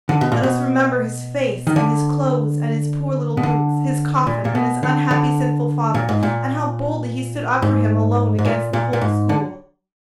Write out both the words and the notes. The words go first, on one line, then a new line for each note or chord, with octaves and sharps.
"Let us remember his face and his clothes and his poor little boots, his coffin and his unhappy, sinful father, and how boldly he stood up for him alone against the whole school."
D3
B2
A#2
B2
D#3
D3
B2
D3
A#2
A#2
B2
D3
D3
A#2
G#2
A#2
G#2
G#2
A#2
A#2
A#2
G#2
D3